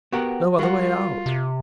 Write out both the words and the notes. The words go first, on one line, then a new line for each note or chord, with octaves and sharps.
No other way out.
B3 F#4 G4 A#4 F#5
G3 F4 F#4 A#4 F#5
C3